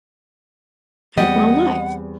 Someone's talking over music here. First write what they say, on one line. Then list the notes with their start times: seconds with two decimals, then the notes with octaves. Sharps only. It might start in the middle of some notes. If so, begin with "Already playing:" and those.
I have my own life."
1.18 E2 G3 C4 D#5 F#5